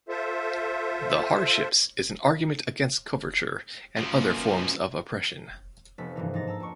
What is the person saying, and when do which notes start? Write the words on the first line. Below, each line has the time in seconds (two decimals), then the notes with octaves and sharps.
The "Hardships" is an argument against coverture and other forms of oppression.
0.09 F4 A4 C5 E5
3.97 F#2 F3
4.12 B2 A#3
5.98 F1 B3 A4 B6
6.15 G2 C3 D#3 E3 A#3 D#4
6.34 G#2 D4 D#4 A6 A#6
6.47 A5 A#5 E6
6.60 F2 D5 C#6